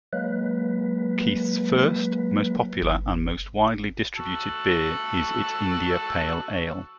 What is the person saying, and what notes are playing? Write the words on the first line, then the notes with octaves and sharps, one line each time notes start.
Keith's first, most popular, and most widely distributed beer is its India Pale Ale.
F#3 G#3 A#3 B4
G1
F#4 A5 E6